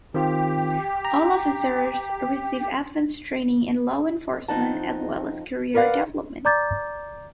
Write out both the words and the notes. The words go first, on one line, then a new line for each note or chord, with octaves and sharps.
All officers receive advanced training in law enforcement as well as career development.
D#3 C4 F4 G4
A#5
F2 C4 D#4 D#5 F#5 A5
A#4 B4 D5 F5 F#5
D5 A#5 D6 G6 A6